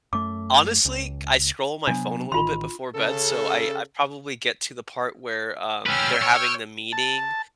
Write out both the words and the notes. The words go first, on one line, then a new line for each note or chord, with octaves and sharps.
honestly, c I scroll my phone a little bit before bed, so I I probably get to the part where, um, they're having the meeting,
F#2 A3 D6
C#2
C3 F#3 B3 D4
A1 D#3 F4 C6
C#3 A4
C#4 B4 G5 E6 F6
C#5
A5